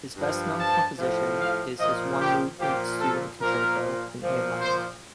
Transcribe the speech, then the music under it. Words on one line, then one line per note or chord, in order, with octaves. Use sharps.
His best-known composition is his one-movement student concerto in A minor.
G2 F3
A5
A2 F3
F5
A#2 F3 D#5
G4
A#2 F3 G4
A4
A#2 F3 A#4
A#2 F3
C5